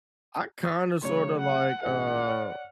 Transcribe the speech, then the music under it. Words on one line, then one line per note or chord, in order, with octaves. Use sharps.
I kinda sorta like, uh
C#6 D#6 A6
C#3 F#3 A3 C#5
F#5
A1 G#4 E5 F#5
C#5 D5 F6